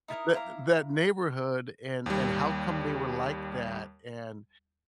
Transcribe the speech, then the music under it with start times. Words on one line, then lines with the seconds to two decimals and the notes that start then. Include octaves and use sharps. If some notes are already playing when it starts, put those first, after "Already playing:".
tha that neighborhood and and how come they were like that, and
0.08 D#4 E4 A#4 D#5
0.34 E4 F5 A#5 D6
2.06 D#2 G3